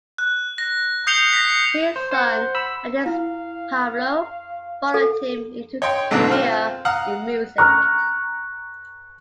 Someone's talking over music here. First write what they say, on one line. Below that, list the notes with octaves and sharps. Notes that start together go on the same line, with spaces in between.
His son, Addis Pablo, followed him into a career in music.
F#6
A#6
D#6 G6 C7 C#7 F7 G7
A#6 B6
C5
C5 F#5
B5 E6
E4 F5
A4
C#5 D#5 G5 C6
A1 G#2 B2 D3 F#3 A3
C4 F4 F6
F5 F#5 A#5 D#6 F6 F#6
A#5 C#6 F6 F#6